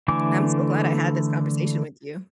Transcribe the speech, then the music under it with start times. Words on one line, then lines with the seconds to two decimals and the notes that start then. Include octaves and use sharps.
I'm so glad I had this conversation with you.
0.08 D3 E3 A3 G#5 D6